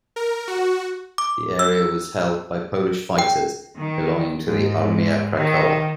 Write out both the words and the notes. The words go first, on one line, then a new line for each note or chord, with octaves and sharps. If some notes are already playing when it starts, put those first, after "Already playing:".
The area was held by Polish fighters belonging to the "Armia Krajowa".
A#4
F#4
D6
E6
G5
D#3
G#2
D#3